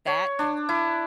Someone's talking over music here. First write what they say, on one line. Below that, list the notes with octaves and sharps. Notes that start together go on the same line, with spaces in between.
That and
C#5
D4
E4